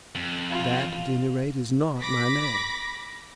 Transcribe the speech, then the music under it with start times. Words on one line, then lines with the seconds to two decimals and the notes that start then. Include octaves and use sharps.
"That at any rate is not my name."
0.15 F2
0.50 F4
2.00 B5 D6 A#6 B6